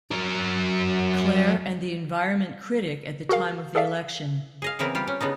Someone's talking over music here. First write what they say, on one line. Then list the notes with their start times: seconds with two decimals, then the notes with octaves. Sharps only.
Clair and the environment critic at the time of the election.
0.11 F#3 A#4
3.29 F#4 G#4 A#4 F5
3.75 G#4 A4 D5 E5 F5
4.62 G#4 D#5 F5
4.79 C#3 E3 B3 C4 E4 A#4
4.95 G3 F4 G4
5.08 C#4
5.21 C#3 B3 D4 D#4